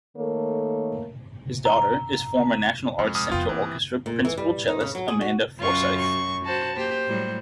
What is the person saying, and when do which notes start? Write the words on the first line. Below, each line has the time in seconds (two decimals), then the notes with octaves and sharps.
His daughter is former National Arts Centre Orchestra principal cellist Amanda Forsyth.
0.17 D#3 A3 A#3 A4 C#5
1.65 A#5
2.99 F2 G#3
3.15 F2 D#6 F6
3.30 F1 F2 B3 F4 G5
3.49 C3 E3 A#3
4.06 A#2
4.25 E3
4.38 G3
4.68 D#4
4.81 C#3
4.95 F#3
5.08 G#4
5.21 F#4
5.59 F#2 F#3 F4 C#6
5.98 C#6
6.45 F#4 C5 A5
6.76 A#3 G4 C5
7.08 A2 F#3 G3